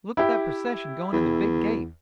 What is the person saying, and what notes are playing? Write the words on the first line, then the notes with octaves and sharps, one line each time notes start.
Look at that procession going in the big gate!
E4 G4
E2